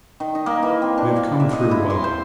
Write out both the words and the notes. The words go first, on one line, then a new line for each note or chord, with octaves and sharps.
We have come through well.
D#3
D#4
A#3
E3
C4
D4
A#3
E5
D#5
E4
C6
C5